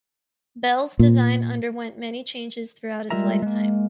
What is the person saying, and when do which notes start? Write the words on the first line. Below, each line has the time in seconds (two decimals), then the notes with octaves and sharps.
Belle's design underwent many changes throughout its lifetime.
0.99 A#2
3.10 G3 G#3 F4 A#4 E5 A#5
3.42 G#3 A#3